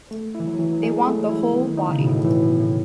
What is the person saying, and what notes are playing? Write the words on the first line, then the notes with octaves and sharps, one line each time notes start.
They want the whole body.
A3
E4
E3
F#3
E3
F#3
G#3 G#4
A3
F#3
E4
D#3 B3
D#4
C#3
B2 E3
A2
B2
A2 E3
A2
B3
A2